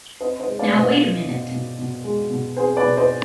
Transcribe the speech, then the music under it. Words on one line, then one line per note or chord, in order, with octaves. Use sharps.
Now wait a minute!
C4 C5 D#5
C5 D#5
G#3
D5 F5
B2
C5 D#5
C4
B2
B2
B2
G#3
B2
C4 G#4 C5
B4 D5
B2
C5 D#5